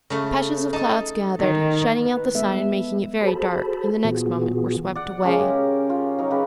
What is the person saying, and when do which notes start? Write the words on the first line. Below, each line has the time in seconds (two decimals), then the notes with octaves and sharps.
Patches of clouds gathered, shutting out the sun and making it very dark, and the next moment were swept away.
0.10 C#3 A3
0.73 D#4 A5
1.39 D#3
2.06 B4
2.34 G#3 B3 A4 E5
3.21 F#4 G#4 A4 C5 A5 B5
4.04 A#2 E3 B3 F4 F#4 G#4
4.95 D5 F#5
5.23 C#3 G#3 C#4 A#4
5.39 G4
5.90 F4
6.18 F#3 D#4
6.31 C#3 G4 B4